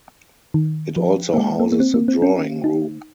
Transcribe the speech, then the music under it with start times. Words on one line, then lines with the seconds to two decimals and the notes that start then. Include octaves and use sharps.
It also houses a drawing room.
0.54 D#3
0.96 F3
1.34 A#3
1.38 G#3
1.60 A#3
1.72 A#3
1.80 C4
1.94 A#3
2.08 C4
2.22 C#4
2.64 D#4